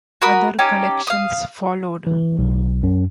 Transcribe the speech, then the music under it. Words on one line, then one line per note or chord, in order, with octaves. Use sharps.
Other collections followed.
F#4 A#4 B5 D#6
C#4 D#4 G4 A4
F5 D#6
E3
B1
F#2